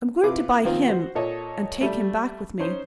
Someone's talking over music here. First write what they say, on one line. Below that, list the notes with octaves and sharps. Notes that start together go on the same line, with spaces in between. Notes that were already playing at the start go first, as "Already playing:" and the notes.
I'm going to buy him and take him back with me.
C3 E4 F4 B4 D6
D#3 F3 A#3 C4 F4
F#4 C5
A#2 A4 C#5 D#5
G3 A3
C#4 D#4 C5